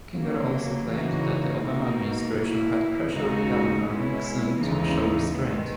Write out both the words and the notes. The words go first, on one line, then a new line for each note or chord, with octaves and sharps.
Kinder also claimed that the Obama administration had pressured Governor Nixon to show restraint.
C#3 F#3 A#3
C#3 E3 A#3 D#4 F#4
B2 A#3 D#4 F#4
B2 A#3 E4
D#2 C#3 G#3 D#4 F#4
B2 G#3 C#4 E4
D#2 C#3 E3 G#3 D#4
D#3 G#3 B3